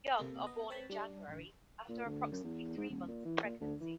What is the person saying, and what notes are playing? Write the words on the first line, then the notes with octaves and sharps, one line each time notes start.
Young are born in January after approximately three months of pregnancy.
C3 A#3 A4
B3 D#5
C4 B4 C#5 G5 A5 B5
G3 D4
A1 D3
A#2
D2
F#2
E2
G#2
D#1
A#2
E3
A#2
D2
E3